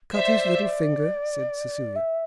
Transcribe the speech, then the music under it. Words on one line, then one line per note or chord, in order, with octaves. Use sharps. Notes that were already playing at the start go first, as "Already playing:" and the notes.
"Cut his little finger," said Cecilia.
C5 D5 E5
E5